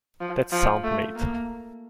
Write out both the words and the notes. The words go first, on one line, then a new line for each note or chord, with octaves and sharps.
That's sound mate.
F3
F3
A3
A#3